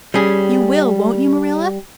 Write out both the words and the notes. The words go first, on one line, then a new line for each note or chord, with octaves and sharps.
You will, won't you, Marilla?
G3 C#4 G#4